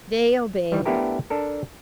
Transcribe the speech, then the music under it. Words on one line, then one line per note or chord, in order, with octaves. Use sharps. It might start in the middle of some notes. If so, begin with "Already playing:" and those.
They obeyed.
D#3 E3 G3
A3 B3 D4 E4 G4 A#4
D4 A4 A#4